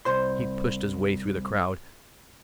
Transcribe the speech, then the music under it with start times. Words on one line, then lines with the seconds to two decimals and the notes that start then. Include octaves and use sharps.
He pushed his way through the crowd.
0.05 C2 C5 C6